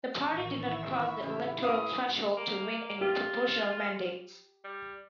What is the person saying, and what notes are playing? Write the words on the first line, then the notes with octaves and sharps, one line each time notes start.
The party did not cross the electoral threshold to win any proportional mandates.
A1 D#3 C#6 E6
E4
E2 C#3 G4
B3 C#4 B4 F5 D#6
A#3
F4 G4
G3